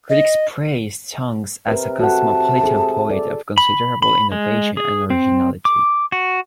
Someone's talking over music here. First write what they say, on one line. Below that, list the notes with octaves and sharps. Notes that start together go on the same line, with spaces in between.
Critics praised Tonks as a cosmopolitan poet of considerable innovation and originality.
D#5
C3 A#4 B4
F#4 A4 F#5 A5
G#4 A4
A4 D5
B5
B5
G#3
G#4
C4
D6
F#4